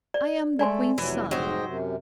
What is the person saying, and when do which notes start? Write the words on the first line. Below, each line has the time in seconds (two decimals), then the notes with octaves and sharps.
I'm the Queen's son.
0.14 D5
0.59 G#3 A3 A4 D5 G#5 C6
0.98 F1 C3 E3 F#3
1.31 G#2 F#3 C5 D#5 G5
1.66 F#2 C3